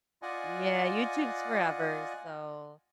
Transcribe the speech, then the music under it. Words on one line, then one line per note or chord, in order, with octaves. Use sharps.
Yeah, YouTube's forever, so
F4 D5 D#5 F#5 G#5